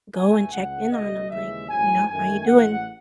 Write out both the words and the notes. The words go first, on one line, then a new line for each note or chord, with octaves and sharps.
go and check in on 'em, like, you know, "How you doing?
B1 B2 A3 G#5
C#2 C#3 G#3 F#5
C#2 B2 A3 D#5
D#2 C#3 E3 G#3 E5
A1 G#2 F#3 G#5
F#2 D#3 A3 G#5
A1 A2 G#3 F#5